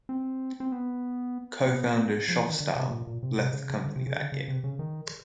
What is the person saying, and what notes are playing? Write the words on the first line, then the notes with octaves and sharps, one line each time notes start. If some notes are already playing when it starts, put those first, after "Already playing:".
Co-founder Schoffstall left the company that year.
C4
C4
B3
B3
F3
E3
D#3
D3
C3
A#2
A#2
C3
C3
C#3
C#3
D3
C3
C#3
D3
C#3
C3
C#3
D#3